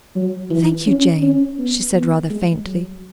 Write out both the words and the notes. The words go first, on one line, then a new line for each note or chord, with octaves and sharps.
"Thank you, Jane," she said rather faintly.
F#3
E3
C#4
C#4
B3
B3
G#3
F#3